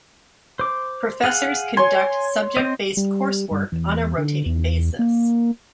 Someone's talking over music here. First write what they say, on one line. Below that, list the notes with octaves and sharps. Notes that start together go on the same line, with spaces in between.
Professors conduct subject-based coursework on a rotating basis.
C5 D6
G#4 F5 F#5
C#5 G#5 C6
C4 C5 D#5
G3
G2
E2
D3
E2
A#3